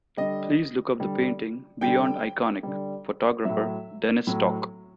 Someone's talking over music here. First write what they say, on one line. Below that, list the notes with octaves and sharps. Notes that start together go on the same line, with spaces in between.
Please look up the painting Beyond Iconic: Photographer Dennis Stock.
D3 G3 D#5
D3 G3
D3 G3 G5
D3 G3
A2 F#3 E5
A2 F#3